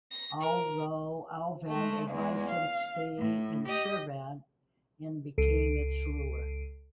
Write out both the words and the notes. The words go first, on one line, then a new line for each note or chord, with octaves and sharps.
Although Alvand advised him to stay in Shirvan and became its ruler.
A#6
A#4
G#3 A3
E2 G#3
F5
A2
G4 D#5
C#2 A4 C7 D7 D#7